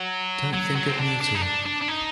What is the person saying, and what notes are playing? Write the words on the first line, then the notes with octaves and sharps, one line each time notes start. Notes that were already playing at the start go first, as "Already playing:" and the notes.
Don't think of me at all.
Already playing: F#3
F#3
F#3
C4
D4
D4
D#4
D4
D4
D4
D#4